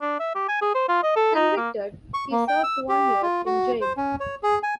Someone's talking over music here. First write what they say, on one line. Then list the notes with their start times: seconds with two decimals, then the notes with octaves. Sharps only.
Convicted, he served one year in jail.
0.01 D4
0.20 E5
0.35 G4
0.49 G#5
0.62 G#4
0.75 C5
0.89 F4
1.03 D#5
1.16 A4
1.35 D#4
1.57 A#3
2.14 C#6
2.32 A#3
2.48 G5
2.63 E6
2.89 G4
3.22 F4
3.46 F#4
3.81 C5
3.97 C#4
4.20 C#5
4.43 G#4
4.63 G#5